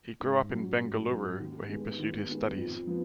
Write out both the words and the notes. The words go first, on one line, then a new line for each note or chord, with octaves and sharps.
He grew up in Bengaluru, where he pursued his studies.
G#2
F#3 C#4 F#4
G#2
F#3 C#4 F#4
D#2
D#3 G#3 B3
D#2
D#3 G#3 B3
F2
F3 B3